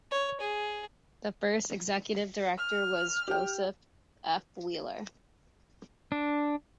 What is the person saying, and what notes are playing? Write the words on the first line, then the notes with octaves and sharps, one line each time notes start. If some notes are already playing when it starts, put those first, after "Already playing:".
The first executive director was Joseph F. Wheeler.
C#5
G#4
F6
G4 G5
D4